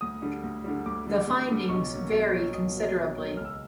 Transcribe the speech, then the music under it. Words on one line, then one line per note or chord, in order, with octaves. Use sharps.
The findings vary considerably.
D2 D#6
D3 G3
D2
D3 G3
D2 D6
D3 G3
D2
D3 G3
B1 C#6
A#2 F#3
B1
A#2 F#3
B1 D#6
A#2 F#3
B1
A#2 F#3
C#2 F6
E6